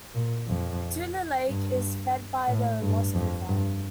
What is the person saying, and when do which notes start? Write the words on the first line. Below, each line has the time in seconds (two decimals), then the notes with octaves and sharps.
Tule Lake is fed by the Lost River.
0.14 A#2
0.47 F2
1.48 G2
2.47 A2
2.82 G2
3.15 F2
3.48 G2